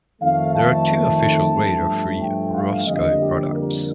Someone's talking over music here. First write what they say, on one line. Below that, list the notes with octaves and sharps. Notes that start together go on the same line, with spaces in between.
There are two official "Radio Free Roscoe" products.
F2 D#3 A3 F5
A5
A5
G2 F3 A3
G5
F5
F2 D3 G3 A#3 D#5
G4
A#4